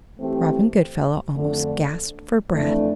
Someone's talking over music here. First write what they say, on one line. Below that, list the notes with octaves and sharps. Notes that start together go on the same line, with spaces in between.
Robin Goodfellow almost gasped for breath.
E3 A3 C4 G4
F2 D3 A3 D4
F2 E3 A3 D4